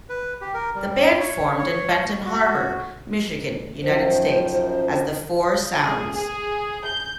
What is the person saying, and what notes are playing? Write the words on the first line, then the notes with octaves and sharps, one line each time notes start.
The band formed in Benton Harbor, Michigan, United States, as the Four Sounds.
B4
G4
A#4
G3
C#5
C#5
F#4
F#2 D#3 F3 C5
G#4
G#4
G6